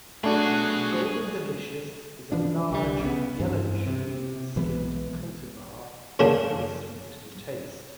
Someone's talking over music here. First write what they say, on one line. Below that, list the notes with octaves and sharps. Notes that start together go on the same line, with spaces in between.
Golden Delicious is a large, yellowish-green skinned cultivar and very sweet to the taste.
B2 F#3 A3 D4 F#4 G#4
E3 F3 D4
C2 D3 D#3 G3
C#3 B3
G2 E3 C4
C3
B1 E3 G#3 B3
F#2 C#3 A#3 D4